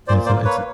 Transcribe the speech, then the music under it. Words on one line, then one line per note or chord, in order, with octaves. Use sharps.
Yeah, so, li it's
A#2 C5 D5
A#3 C5 D5
A#3 B4 C#5